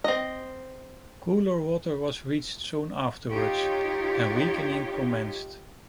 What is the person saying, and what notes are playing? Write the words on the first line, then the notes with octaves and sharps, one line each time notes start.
Cooler water was reached soon afterwards, and weakening commenced.
C4 D#5
D#4 F4 G4 C#5